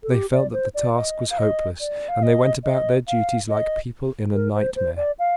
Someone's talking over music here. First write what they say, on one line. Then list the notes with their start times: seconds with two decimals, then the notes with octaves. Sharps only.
They felt that the task was hopeless, and they went about their duties like people in a nightmare.
0.03 A4
0.11 G4
0.32 D5
0.53 C5
0.75 D5
0.96 D#5
1.30 F5
1.38 D#5
1.80 D5
2.09 F5
2.23 D#5
2.64 D#5
3.08 F5
3.49 D#5
4.34 A#4
4.55 C5
4.76 C5
4.97 D5
5.19 F5